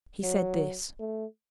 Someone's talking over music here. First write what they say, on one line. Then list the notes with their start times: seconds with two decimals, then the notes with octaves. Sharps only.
He said this.
0.23 F#3
0.99 A3